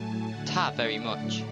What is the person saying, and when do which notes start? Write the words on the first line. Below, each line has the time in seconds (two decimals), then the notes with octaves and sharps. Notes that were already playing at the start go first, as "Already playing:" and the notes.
Ta very much.
Already playing: A2 F#3 A3 G#5 A5
0.29 D3 A3 F#5
0.74 D5
1.19 A2 F#3 A3 D5